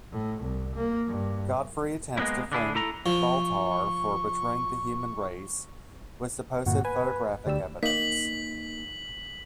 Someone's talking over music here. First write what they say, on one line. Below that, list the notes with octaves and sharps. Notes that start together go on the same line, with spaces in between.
Godfrey attempts to frame Baltar for betraying the human race with supposed photographic evidence.
A2
C2
A#3
G2
G#3 A#3 B3 C#4 E4
D3 D4 E4 G#4
A3 E4 A4 A#5
F3 C#6
G1 A#2 F#4
B4 G#5
D2 G3 E6
A#3 D#4 B6 F#7